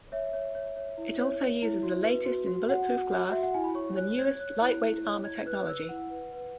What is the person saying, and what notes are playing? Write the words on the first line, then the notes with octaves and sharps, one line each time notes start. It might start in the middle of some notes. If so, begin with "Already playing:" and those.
It also uses the latest in bulletproof glass and the newest light-weight armor technology.
C#5 E5
C#5
C#5
C#5
E4
C#5
C#5
E4
F#4
B4
F#4
F#4
F#4 F#5
F#4
F#4
F#4 E5
F#5
E4 G#5
B5
C#5 C#6
C#5 F#6
C#5 G#6
C#5 F#6
E4
E4
C#5
E4 G#6
B4 F#6
B4 E6
E4 F#5
B4
B4